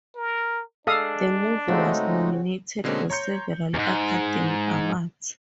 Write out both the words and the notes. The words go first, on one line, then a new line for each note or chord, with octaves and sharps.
The movie was nominated for several Academy Awards.
A#4
G#3 D4 A4 F5 D#6
C#3 G#3 A3 C4 D#4 F#4
B2 D3 G#3 A#3 C4 C#4
C#5 A#5 C6 G6 C#7
E2 G#2